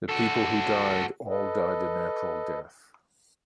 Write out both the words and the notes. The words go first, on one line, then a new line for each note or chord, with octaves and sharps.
The people who died all died a natural death.
F#4 A4
A4 B4 D#5